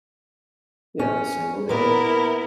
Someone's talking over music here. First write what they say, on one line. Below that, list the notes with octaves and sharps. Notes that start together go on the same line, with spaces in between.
yeah, I'm a single dad.
C#4
A#2 B3 E4 A#4